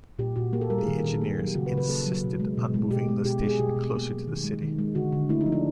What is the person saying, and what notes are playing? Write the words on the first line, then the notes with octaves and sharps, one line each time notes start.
The engineers insisted on moving the station closer to the city.
A#2 G4
A#2 F#4
A#3 G4
A4
G3 A#4
G#4
D#3
A#4
D#3 A4
G#4
A#3 G4
F#3
G4
C#3 F#4
B4
C#3
B4
A#3 A4
F#3
B2
G#3
B2
G#3
B2 G4
G#3
B2 G4
G#3 G#4
B2 G4
B2
A#3
F#3
D#3
G#3
D#3
G#3
D3 F#4
D3
A3 E4
D#4
F3
D4